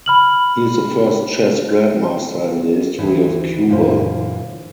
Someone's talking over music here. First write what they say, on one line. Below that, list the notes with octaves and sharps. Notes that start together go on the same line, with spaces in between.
He is the first chess grandmaster in the history of Cuba.
B5 F6 F#7
D2 D#3 E3 D#4
F#2 A#2 D3 E3 F4 C5